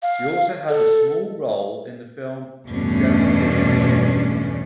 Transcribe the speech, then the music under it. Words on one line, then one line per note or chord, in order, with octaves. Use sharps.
She also had a small role in the film "Judas Kiss".
F5
A4
E2 G2 B2 A3 C#4 D4